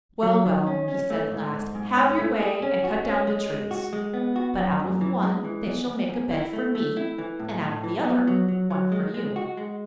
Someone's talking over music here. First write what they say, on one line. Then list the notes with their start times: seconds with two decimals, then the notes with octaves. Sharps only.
'Well, well,' he said at last, 'have your way and cut down the trees; but out of one they shall make a bed for me, and out of the other, one for you!'
0.23 F#3
0.45 D#3
0.67 C#4
0.88 C#4
1.10 A3
1.31 G#2
1.54 G#2
1.75 G#2
1.96 C#4
2.19 A3
2.40 G#4
2.63 C#4
2.84 F#4
3.05 C#4
3.27 G#3
3.48 G#3
3.71 F#4
3.93 G#3
4.14 B3
4.36 F#4
4.58 F#2
4.80 F#2
5.01 E3
5.23 G#3
5.45 E3
5.66 E2
5.89 E2
6.09 E2
6.31 E4
6.53 A3
6.75 A3
6.97 E4
7.18 E3
7.39 A2
7.62 A2
7.84 E3
8.05 B3
8.27 F#3
8.48 F#3
8.70 F#3
8.92 G#3
9.14 G#3
9.36 F#4
9.57 G#3